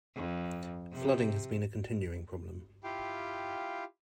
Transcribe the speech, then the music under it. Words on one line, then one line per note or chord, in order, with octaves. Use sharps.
Flooding has been a continuing problem.
F2
C3
E4 F4 G4 F5 G5